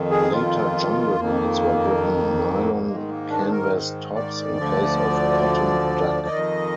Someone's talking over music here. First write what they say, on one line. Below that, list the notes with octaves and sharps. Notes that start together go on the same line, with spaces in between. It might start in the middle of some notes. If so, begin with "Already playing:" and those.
Later Jungle boots were given nylon canvas tops in place of cotton duck.
Already playing: F2 D#3
G#4
F4
F2 D#3 A#3
G3
G#2 D#3 G#3
A#3
D4
A#4
D5
D2 D3 F3
F2 D#3 D#5